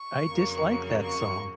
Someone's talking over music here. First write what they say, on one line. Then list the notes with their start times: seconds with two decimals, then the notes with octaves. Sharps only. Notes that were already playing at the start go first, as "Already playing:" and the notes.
I dislike that song.
Already playing: C#6
0.28 F2 C#3 F#3 A#3
1.02 C#6